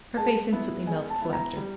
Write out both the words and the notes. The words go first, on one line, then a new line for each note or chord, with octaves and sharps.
Her face instantly melted to laughter.
G#3 A5
B3 E4
G#3 G#5
A5
B3 E4
A#5
G3